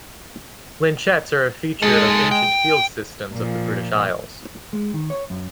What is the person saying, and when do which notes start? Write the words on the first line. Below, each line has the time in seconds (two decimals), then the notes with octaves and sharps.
Lynchets are a feature of ancient field systems of the British Isles.
1.82 G#3 D#4 A4
2.31 G5
3.33 A#2 F3
4.73 G#3
4.94 D#3
5.10 C#5
5.30 F#2